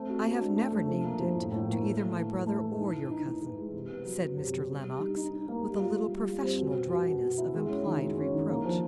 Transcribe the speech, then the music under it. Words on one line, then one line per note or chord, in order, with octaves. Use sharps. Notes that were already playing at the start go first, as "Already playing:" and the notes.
'I have never named it to either my brother or your cousin,' said Mr. Lennox, with a little professional dryness of implied reproach.
Already playing: A3 C4
F#4
F#4
D4
A3
A3
F3
A#3
F3
A2
A2
A#3
A3
A3
E3
A3
A3
E3
D#4
E3
D#4
E3
E3
G#3
C3
B3
F#3
B3
C3
C3
G3
G3
D#4
D#4
D#4
A#3
G3
F4
F4
G3
G3
C4
B2
B2
B2
B2
B2
E4
G#3
C#4
D#3
G#3
C#4
D#3
A#3
F3